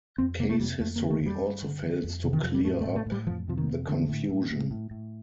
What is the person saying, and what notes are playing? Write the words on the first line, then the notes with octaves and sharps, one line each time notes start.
Case history also fails to clear up the confusion.
F2 C4
C3 A#3
A3
F2 G3
F2 A3
A#3
D3
A3
F2
G3
G2
D3
G2
F2
C3
D#3
F2 F3
G3
A2 A3
A3
A2
A3
A2
G3
F2 F3
C3 F3
D#3
F2
A2 D3
A2
A2
A2
A2
A2